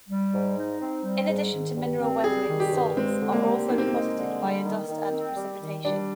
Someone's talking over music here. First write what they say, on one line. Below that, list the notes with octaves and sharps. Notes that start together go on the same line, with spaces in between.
In addition to mineral weathering, salts are also deposited via dust and precipitation.
G3
G#2
D#4
C4
G3
G#2
D#3
G2
C4
G3 G#4
D#3
G4
G2
G#3 C4
D3
A#3
G4
A#3 D#4
C4
A#3
G#3
D3
G3
D#3
D#3
C4
G3
D#3
G3 D4